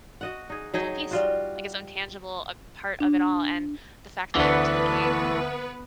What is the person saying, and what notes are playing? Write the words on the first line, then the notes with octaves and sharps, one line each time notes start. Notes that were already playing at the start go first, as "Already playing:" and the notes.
full piece, like its own tangible, uh, part of it all, and the fact that you're taking,
F#4 D#5 F#5
D#4 G#4
F#3 D#4 G#4 G5
G3 F4 F#4
D4
D2 E3 A3 B3 D4 B4